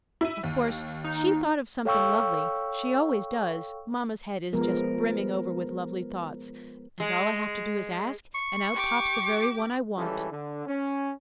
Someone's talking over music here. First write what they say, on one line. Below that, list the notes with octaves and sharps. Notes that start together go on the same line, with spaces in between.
Of course she thought of something lovely; she always does; Mama's head is just brimming over with lovely thoughts, and all I have to do is ask, and out pops the very one I want.
E4 D#7
D#2
D#4
A4 C#5 F5 G5 C#6 E6
F3 G#3 B3 A#4
G#3
C#6
G4 D6
C#2 E3 G3 C#4 A4
D3
C#4